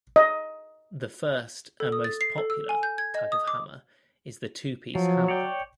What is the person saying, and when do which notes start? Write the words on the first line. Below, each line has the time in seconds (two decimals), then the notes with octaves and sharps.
The first, and most popular, type of hammer is the two piece hammer.
0.16 D#5
1.80 A4
1.92 D#6
2.04 A6
2.21 C7
2.38 A4
2.50 E6
2.69 G#5
2.83 G6
2.98 G#6
3.15 D#5
3.32 D#6
3.48 D6
4.95 F3 F#3
5.28 C#5 D5 G5